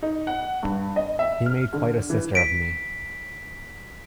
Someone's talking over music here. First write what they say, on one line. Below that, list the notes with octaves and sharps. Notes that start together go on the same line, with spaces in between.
He made quite a sister of me.
D#4
F#5
G2
D#5
E5
F6
D3
E3
B6 D7